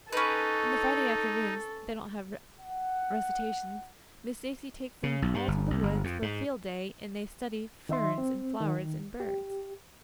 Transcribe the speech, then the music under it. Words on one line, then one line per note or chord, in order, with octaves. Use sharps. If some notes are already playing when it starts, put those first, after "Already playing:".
And the Friday afternoons they don't have recitations Miss Stacy takes them all to the woods for a 'field' day and they study ferns and flowers and birds.
C#4 D#4 A4 B4
F#5
C#3
B1
G2
G1
C2
G1
F2
G#2
D#3 D#4 E5 C6
C4
D#3
G4